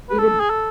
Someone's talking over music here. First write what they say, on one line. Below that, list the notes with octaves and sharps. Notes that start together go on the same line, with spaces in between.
we would
B4
A4
G#4
A4